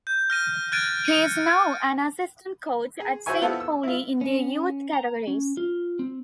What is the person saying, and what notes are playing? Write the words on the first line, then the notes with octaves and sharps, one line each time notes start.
He is now an assistant coach at Saint Pauli in their youth categories.
G6
F6 A#6 D#7
F6 F#6 G#6 A6 D7 D#7
C#7 D#7
G#4
F#4 C5 C#5 E5 G#5 C#6
B3 C4 E4 F4 A4
E6
E4 F4
C#4
A#5
C#4
F4
C4